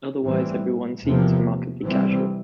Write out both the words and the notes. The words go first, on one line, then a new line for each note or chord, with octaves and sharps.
Otherwise every one seems remarkably casual.
A2 E3 G3 C4
E2 C3 F3 A#3
C3 E3 G3 C4